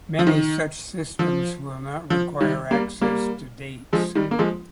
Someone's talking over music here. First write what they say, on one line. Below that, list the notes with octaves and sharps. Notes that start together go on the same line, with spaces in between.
Many such systems will not require access to dates.
F3
D#3
F3
F3
D#3 G3
G3 A#3
G3 A#3
F3 G#3
D#3 G3
A#3
F3 G#3